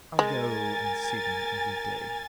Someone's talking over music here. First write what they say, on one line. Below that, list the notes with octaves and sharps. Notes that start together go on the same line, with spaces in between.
I'll go and see them every day.
G#3 A#4 G#5 A6